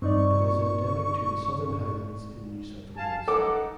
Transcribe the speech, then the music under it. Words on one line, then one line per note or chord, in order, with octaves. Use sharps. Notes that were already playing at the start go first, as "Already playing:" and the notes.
It is endemic to the Southern Highlands in New South Wales.
G2 C4 D#4 D5 C#6
F5 G#5 A5
D#4 A4 F#5 D6